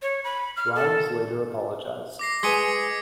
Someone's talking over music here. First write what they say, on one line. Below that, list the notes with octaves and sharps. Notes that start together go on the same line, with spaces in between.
Rhymes later apologized.
C#5
B5
F6
A4
D6 A#6 C7
G#3 B4 G#5 C6 G#6 B6 C#7